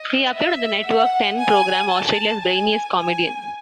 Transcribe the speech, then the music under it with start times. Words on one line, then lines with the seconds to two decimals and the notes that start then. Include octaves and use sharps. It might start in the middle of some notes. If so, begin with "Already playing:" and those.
He appeared on the Network Ten program "Australia's Brainiest Comedian".
Already playing: D#5
0.34 E5
0.86 F#5
1.38 G#5
1.91 A5
2.43 G#5
2.95 G#5